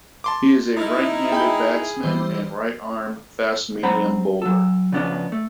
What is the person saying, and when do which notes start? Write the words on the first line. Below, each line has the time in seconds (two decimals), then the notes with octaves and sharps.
He is a right-handed batsman and right-arm fast-medium bowler.
0.24 A5 C6 D6
0.77 D#4 E4 D#6 F6
1.32 G#4 G5 B5 G6
2.03 E3 G3 C5
3.83 F#2 C4 C5 F#5 A#5 B5
4.42 F#3 A4
4.92 C#3 F3 B3 C#4 D4
5.32 A3